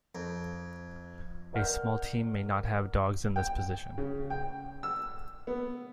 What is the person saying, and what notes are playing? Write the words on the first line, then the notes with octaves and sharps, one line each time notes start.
A small team may not have dogs in this position.
F2
A#4 D5 F#5 F6 G6
G5
C#3
G5
E6
B3